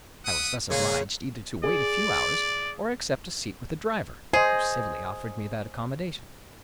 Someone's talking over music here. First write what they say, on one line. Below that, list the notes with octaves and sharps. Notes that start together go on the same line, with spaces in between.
I was thus obliged either to wait a few hours or accept a seat with the driver, who civilly offered me that accommodation.
E5 F#5 D#6
A#2 C#3 C#4 F#4 G#4
G#4 D5
G#4 C5 D#5